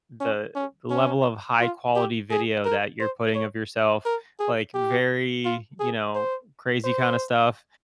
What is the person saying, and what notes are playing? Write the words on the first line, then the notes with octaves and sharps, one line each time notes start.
the level of high quality video that you're putting of yourself, like, very, you know, crazy kinda stuff,
C#4
C#4
C#4
F4
G4
G#4
A#4
C5
C#5
A#4
G#4
G4
F4
G#4
C5
C5